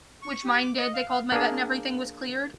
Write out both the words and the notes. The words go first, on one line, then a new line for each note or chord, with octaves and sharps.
which mine did. They called my vet and everything was cleared.
C#6
G4
D6
D#5
F5
F5
A#3 D4 G#4